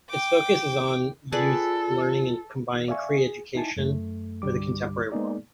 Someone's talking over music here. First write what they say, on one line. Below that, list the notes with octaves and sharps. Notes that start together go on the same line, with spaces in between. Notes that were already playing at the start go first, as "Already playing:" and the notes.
Its focus is on youth learning and combining Cree education with the contemporary world.
G5 D6
F4 G#4 A4 B4 D5
D5 E5 F5 G#5 C#6
G#4
D#4 E4 G#5 A5
F#2 A3
C2 G2 D3 G3 D6
G#3 A#3 B3 D#4 G#4 D5